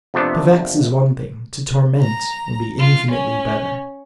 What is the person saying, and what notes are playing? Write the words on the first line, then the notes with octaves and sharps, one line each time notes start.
To vex is one thing; to torment would be infinitely better.
F2 C3 A3 B3 D4
A#5
F4
C#4